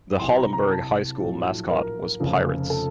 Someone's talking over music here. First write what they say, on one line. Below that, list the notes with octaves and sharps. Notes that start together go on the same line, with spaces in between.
The Hollenberg High School mascot was Pirates.
C2 C3 F#3 C6
A#5
A#5
A5
A#1 A2 F#3
A#4
F1 F2 C#3 F3
A4